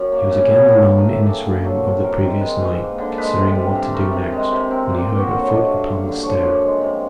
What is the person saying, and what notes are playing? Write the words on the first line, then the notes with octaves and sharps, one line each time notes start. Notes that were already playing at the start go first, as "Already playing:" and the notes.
He was again alone in his room of the previous night, considering what to do next, when he heard a foot upon the stair.
Already playing: F#2
A#3
C#3
F#3
G2
A3 A#4
B4
A2 A4
G4
A#3 G#4
D3
G#4
F#3 A4
C3
G3 A#4
G#2
G#3 B4
G#2
A#3
D3
G#3 B4
C3
G3
G2
A3 A#4
C3
G#3
C3
C4 A#4
A#2 G4
A#3 G4
F#4
D3 B4
C#5
A3 D#5
G2
A#3
D3
F3 C#5
F#2 D5
G#3
C3